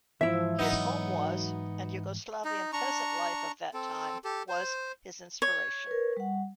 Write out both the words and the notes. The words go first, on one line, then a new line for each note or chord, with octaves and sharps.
His home was and Yugoslavian peasant life of that time was his inspiration.
G#2 E3 F3 E4 E5
F#3 B3 D#4
D#4
D4 A#5 C#6
C4 A4
G4 A4
C5
C#5
A#4 B4
G3 F#5